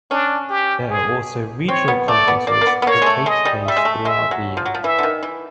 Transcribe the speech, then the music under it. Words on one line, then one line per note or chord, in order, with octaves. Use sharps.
There are also regional conferences that take place throughout the year.
C#4 D4
G4
G#4
C4 C#5
B3
A3 D5
B3
A#3 D5
A#3
B3
B3
A#3 C#5
G#3
A3
G#3 D#5
G3
G3 E5
G#3
A3
G#3 E5
F#3
F3
F#3
F3
E3 E5
D3
D#3
E3